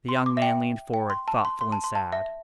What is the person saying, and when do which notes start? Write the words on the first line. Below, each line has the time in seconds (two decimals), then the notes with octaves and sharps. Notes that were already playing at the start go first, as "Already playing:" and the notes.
The young man leaned forward, thoughtful and sad.
0.09 C6
0.26 D6
0.37 E5
0.42 G5
0.94 G5
1.10 C6
1.28 A5
1.45 C6
1.61 C6
1.72 A5
1.84 C6
1.95 A5
2.12 E5